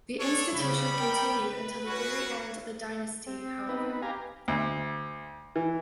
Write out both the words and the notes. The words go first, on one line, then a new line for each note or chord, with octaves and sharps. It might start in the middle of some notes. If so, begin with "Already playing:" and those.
The institution continued until the very end of the dynasty, however.
D4 A4 C#5
C#3 G3 B3 B5
A#4 G5
B4
C#4 F#4
C4
B3 D#4 B4
G4 F5 G#5 A#5
D2
E3